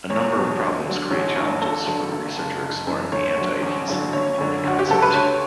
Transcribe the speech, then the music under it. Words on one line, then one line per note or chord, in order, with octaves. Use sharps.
A number of problems create challenges for the researcher exploring the anti-adhesin immunity concept.
E2 C#5
B2 F#3
D2
D3 F#3
A1 C#5
G2 E3
G1 A4
G2 D3 F#3
G1
F#2 C#3
F#1
F#2 E3
D2 C#5
D3 F#3
A1
G2 D3 F#3
G1 C#5
F#2 D3
D2 F#4
G4
C#3 F#3 A4
B4
D2 C#5